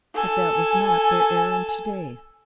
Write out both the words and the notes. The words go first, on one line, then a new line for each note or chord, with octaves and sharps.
But that was not their errand to-day.
A4 G#5